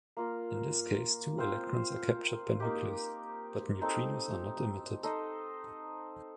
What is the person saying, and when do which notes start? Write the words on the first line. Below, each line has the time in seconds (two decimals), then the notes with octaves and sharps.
In this case, two electrons are captured by nucleus, but neutrinos are not emitted.
0.17 A#3 F4 A#4
1.38 C4 F4 C5 F5
2.60 A#3 D#4 G4
3.82 C4 D#4 A4
5.03 D#4 A4 C5 D#5